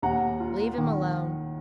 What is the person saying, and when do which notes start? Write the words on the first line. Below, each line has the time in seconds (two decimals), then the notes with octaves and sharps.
'Leave him alone.
0.02 D#2 F#5 A#5
0.40 F4
0.78 D#3